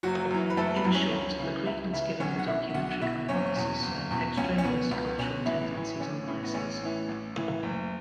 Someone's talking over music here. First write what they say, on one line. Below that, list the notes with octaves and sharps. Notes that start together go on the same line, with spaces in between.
In short, the credence given the Documentary Hypothesis served extraneous cultural tendencies and biases.
F#1 F#3 F#4
F#2 E3
B4
F#1 A3 A4
B3 B4
F#2 E3
C#4 C#5
C#2
C#3 E3
C#2 E4 E5
C#3 E3 E4 E5
B1 C#4 C#5
F#5
B2 E4 E5
E5
B1 F#4 F#5
B2 E4 E5
F#1 C#4 C#5
E2 B2
F#1
E2 B2
C#2 C#4
C#4
B2 B3
C#2 B3
B2 C#4
A1 E3 E4
A2 E3
A1 C#4
A2 E3
B3
A1 C#4
A2 E3
A1
A2 E3
F#1